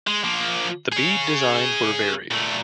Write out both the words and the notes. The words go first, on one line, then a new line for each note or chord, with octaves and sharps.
The bead designs were varied.
G#3
F3 A#3
G#4 C#5
A#2 A3